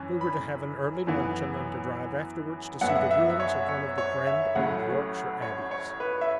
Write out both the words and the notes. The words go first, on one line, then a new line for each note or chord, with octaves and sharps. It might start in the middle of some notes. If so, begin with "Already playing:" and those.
We were to have an early luncheon, and to drive afterwards to see the ruins of one of the grand old Yorkshire abbeys.
Already playing: F#2 E3 C#4
B5
F#2 E3 B3
F#2 F#3 B3 F#5
E5
F#5
E5
E5
C#5
C#5
C#5
E5
A1 A2 F#3 C#4 F#5
C#5
C#5
B4
E5